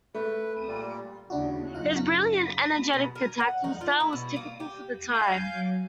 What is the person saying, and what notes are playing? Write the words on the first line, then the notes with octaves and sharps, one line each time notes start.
His brilliant, energetic attacking style was typical for the time.
A3 B4
A#2 G3
D#2 C#3 D4 E4 F#4
F#2 C#3 D#4 F4 F5
B2
A#4
F#5
D#4
F4
E4
B2
A#3
G4
F5 G#5 G6
F#3